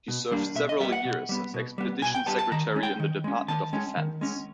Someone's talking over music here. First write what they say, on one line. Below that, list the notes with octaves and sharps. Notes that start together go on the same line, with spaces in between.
He served several years as expedition secretary in the Department of Defense.
B2
G3 A#3 D4
B2 E5
D#5
G3 B3 E5
F#5
B2
G3 B3
B2
G3 B3
B2 G#5
G5
G3 B3 A5
A5
D#3 A#5
G#3 C#4
G5
D#3
G#3 C#4
D#3 A5
G#3 C#4
D#3
G#3 C#4